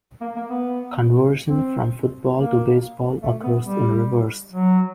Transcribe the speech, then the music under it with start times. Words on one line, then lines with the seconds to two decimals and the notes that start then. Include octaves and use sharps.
Conversion from football to baseball occurs in reverse.
0.21 A#3
0.36 A#3
0.50 B3
1.49 C4
2.37 A#3
3.23 A3
3.43 B3
3.65 G3
4.52 F#3